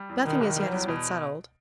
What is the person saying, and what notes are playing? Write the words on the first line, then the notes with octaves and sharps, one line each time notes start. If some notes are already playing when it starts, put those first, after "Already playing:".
Nothing as yet has been settled.
Already playing: G3
E2
B2 D#3
F#1 C3
D#3
G3
E2 F#3
B2